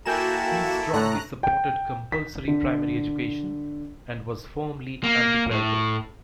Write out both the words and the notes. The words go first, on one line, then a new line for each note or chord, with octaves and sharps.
He strongly supported compulsory primary education, and was firmly anti-clerical.
A#3 E4 F#4 A4 G5 G#5 A#5 E7
A2 A3 C#5 A#5 F#6
G5
B6
D3
A#3
A2